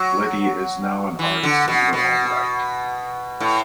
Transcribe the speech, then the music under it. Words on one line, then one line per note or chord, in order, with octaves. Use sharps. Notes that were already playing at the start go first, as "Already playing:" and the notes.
Lydia is now an artist in her own right.
Already playing: F#3
E3
D3
B2
B2
A2